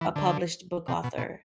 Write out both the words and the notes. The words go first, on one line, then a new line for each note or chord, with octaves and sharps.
a published book author.
E3
D3
C3
B2
B2